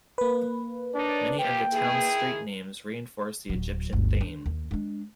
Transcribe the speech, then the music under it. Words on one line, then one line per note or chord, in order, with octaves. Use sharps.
Many of the town's street names reinforce the "Egyptian" theme.
A#3 B4
D4 D#4 C#5 D5
D#2 F3 G4 G5
D#3 E4 G#4
D1 F#3
G1 D2
D4
D#2
G#3 D4